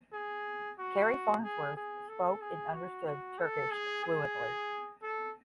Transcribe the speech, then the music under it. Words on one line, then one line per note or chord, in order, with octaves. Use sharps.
Carrie Farnsworth spoke and understood Turkish fluently.
G#4
F#4
G#4
G#4
A4
G#4
F#4
F#4
A4
G#4
G#4
A4